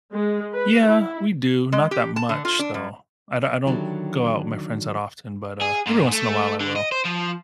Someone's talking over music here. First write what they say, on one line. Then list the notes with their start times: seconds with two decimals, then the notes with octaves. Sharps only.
Yeah, we do not that much though. I don't I don't go out with my friends that often, but uh, every once in a while I will.
0.13 G#3
0.52 B4
0.84 E4
1.72 G#3
1.91 G4
2.16 A5
2.29 D3
2.45 F4
2.59 D4
2.74 F#2
3.66 D3 D#3 F#3 D4 E4 G4
5.62 G#4
5.87 G#2
6.13 A3
6.60 D3
6.76 D#5
6.92 C5
7.05 F3